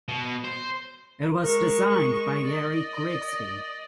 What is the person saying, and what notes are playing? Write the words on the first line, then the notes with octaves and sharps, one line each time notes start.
It was designed by Gary Grigsby.
B2
C5
G#3 A#4 C#6
D5 D#5